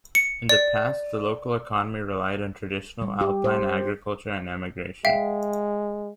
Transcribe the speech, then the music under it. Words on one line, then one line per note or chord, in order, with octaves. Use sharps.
In the past, the local economy relied on traditional alpine agriculture and emigration.
C#7
D5
G3
G4
C5
G#3 E5 F5 G5